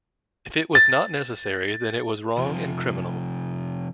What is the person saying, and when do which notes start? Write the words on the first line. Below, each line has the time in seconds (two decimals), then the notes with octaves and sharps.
If it was not necessary, then it was wrong and criminal.
0.75 A6
2.38 C3 F3